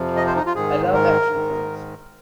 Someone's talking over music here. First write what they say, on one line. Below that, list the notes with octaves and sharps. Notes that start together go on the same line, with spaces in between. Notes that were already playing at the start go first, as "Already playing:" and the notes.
I love action films.
Already playing: F2 C3 F3
D#5
C5
D#4
F4
G#2 D#3 G#4
A#4
G#2 D#3